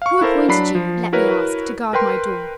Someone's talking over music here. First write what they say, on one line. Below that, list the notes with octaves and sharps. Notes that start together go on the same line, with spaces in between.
Who appointed you, let me ask, to guard my door?
F5 C#6
E4 A4 A#4 C5 F5
F#3 D4 B5 C7
F3
E4 F#4 A#4 B4 C#5
A#4 B4 G5 C6